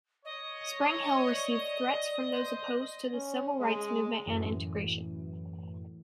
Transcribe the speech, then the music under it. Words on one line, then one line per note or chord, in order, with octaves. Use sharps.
Spring Hill received threats from those opposed to the civil rights movement and integration.
C#5 D#5
D5
C5
C#4
G#3
F#2 A2 E3 F#3